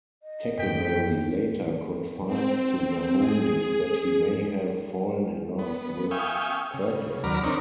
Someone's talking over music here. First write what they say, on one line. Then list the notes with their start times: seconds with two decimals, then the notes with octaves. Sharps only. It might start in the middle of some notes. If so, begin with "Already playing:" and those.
Tackleberry later confides to Mahoney that he may have fallen in love with Kirkland.
0.23 D#5
0.59 F#2 G5 B6
2.26 C4
3.19 G#4
5.59 B3
6.11 E5 F5 G5 G#5 C#6 D#6
6.74 C#3
7.24 D#2 F#3 D5 A#5 B5 F6
7.43 C4 D4 D#4 A#4 C#5